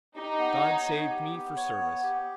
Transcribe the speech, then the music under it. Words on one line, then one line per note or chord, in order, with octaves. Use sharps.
God saved me for service.
D#4 G4
B3
C#5
B3
G4
B3
C#5
B3
G4